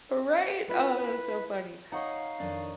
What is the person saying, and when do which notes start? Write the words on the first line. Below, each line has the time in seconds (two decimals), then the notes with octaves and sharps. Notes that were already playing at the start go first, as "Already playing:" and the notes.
Right? Oh, that is so funny.
0.68 A3 E4 F4 B4
1.92 D#4 C#5 D#5 F5 F#5
2.40 F2 D#3 D4